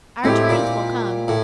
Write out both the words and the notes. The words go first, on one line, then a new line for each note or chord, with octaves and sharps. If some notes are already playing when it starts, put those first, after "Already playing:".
Our turns will come.
A2 G#3 C4 E4 G4
A#2
A2